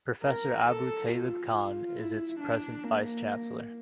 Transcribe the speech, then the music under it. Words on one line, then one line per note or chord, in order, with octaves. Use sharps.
Professor Abu Taleb Khan is its present vice chancellor.
A#4
A4
F4
F4
E4
D4
A#3